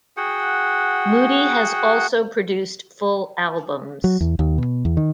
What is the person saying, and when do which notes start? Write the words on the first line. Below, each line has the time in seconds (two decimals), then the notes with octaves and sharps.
Moody has also produced full albums.
0.17 F#4 G#4 F#5 G5
4.04 F#3
4.21 E2
4.39 D#2
4.58 B2
4.85 E2
4.97 D#3